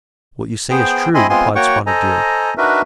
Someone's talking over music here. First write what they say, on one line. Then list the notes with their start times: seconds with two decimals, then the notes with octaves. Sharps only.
"What you say is true," replied Spotted Deer.
0.70 B3 G#4 C5 G5
1.14 C4 E4 D#5 G#5 B5 C6
1.30 G#3 B3 C4 F4 G#5 C6
1.56 A#3 F#4 C#5 F#5 G5 C#6
1.87 A4 C5 D#5 G#5 A#5
2.58 D4 D#4 F#4 A#4 B4 E5